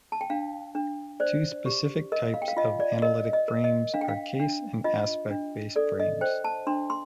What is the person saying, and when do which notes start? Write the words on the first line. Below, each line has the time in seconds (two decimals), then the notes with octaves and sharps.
Two specific types of analytic frames are case and aspect based frames.
0.12 A5
0.21 G5
0.30 D4 F5
0.75 D4
1.20 C5 D5
1.66 G4
2.12 A#4 D#5
2.34 F5
2.42 G5
2.48 F5
2.57 F4 D#5
2.80 D5
3.02 A#4 D#5
3.33 D#5
3.48 A#4
3.64 D#5
3.94 D4 F5
4.01 G5
4.08 F5
4.40 D4
4.84 F4 D#5
5.31 D4
5.76 A4 D5
6.00 D#5
6.21 C5 G5
6.44 A5
6.67 D4 C6
6.90 C6